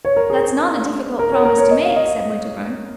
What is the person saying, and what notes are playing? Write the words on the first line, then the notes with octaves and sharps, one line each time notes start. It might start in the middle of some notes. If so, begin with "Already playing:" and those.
"That's not a difficult promise to make," said Winterbourne.
C#5
A#4
G#4
A#4
C#5
A#4
C#5
D#5
F5
D#5